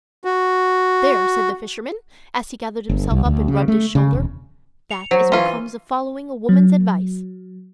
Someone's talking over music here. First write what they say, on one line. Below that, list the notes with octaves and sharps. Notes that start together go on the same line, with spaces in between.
"There!" said the fisherman, as he gathered himself up and rubbed his shoulder, "that is what comes of following a woman's advice!"
F#4
G1
C2
D2
C#3
A3
C#3
E1
C#7 F7
F#3 C5
E3 C#4 F4 C6 D#7
F#3